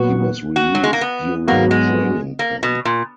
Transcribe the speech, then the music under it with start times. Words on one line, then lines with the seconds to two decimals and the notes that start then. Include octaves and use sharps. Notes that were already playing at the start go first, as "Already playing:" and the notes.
He was released during Training Camp.
Already playing: A#2 F#3 B3 F#4
0.56 F#4
0.75 F#3
0.84 G#3
0.93 A#3
1.01 B3
1.47 G#2 F#3 A#3 B3 F#4
1.71 G#3
2.39 A#3
2.63 B2
2.85 A#2